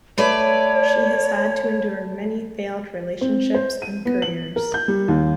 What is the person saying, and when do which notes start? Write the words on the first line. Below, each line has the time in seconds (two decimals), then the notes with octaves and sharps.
She has had to endure many failed relationships and careers.
0.18 A3 B4 C#5 D5
3.21 C4
3.54 C5
3.82 D#7
4.05 B3
4.22 F#7
4.56 A#4
4.74 G6
4.88 G3
5.08 D#2